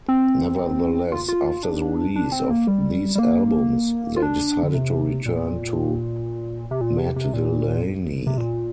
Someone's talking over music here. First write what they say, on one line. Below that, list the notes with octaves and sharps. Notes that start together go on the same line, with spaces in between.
Nevertheless, after the release of these albums, they decided to return to "Madvillainy".
C4
F4
F4
D4
D4
C4
A#3
G3
G3
A#3
F4
D4
D3
C3
A#2
C3
A#2
C3
C3
A#2
C3
A#2